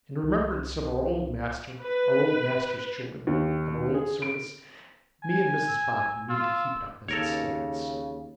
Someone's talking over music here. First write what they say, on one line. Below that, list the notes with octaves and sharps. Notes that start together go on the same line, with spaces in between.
In remembrance of our old master, our old master's children, and our old service, me and Mrs Boffin mean to keep it up as it stands.'
C2
B4
D#2
G#4
D7
G#5
E6
F4 E6
D#2 C#3 A4 A#4 C#5